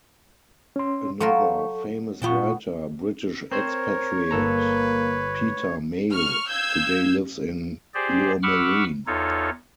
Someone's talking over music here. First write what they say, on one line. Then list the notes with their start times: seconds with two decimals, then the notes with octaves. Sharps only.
Another famous writer, British expatriate Peter Mayle today lives in Lourmarin.
0.76 C#4 C6
1.20 F#3 F4 A4 A#4 C#6
2.22 A#2 B3 F4 G5 A5 C#6
3.52 C4 A#4 C5 C#5
4.31 G1 A#3 A4 B4 A#5
6.12 C#6 F6
6.49 F5 E6 G6 G#6
7.94 G4 G#4 C5 D5
8.43 F#5 B5 C#6 D6 E6 F6
9.07 E2 D#4 F4 A4 C#5